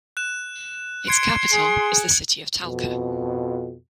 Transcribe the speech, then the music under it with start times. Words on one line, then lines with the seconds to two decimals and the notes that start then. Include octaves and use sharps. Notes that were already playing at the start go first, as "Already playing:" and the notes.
Its capital is the city of Talca.
0.17 F#6 E7
1.07 C6 G#6 C#7 D7
1.52 G#4
2.62 F2 B2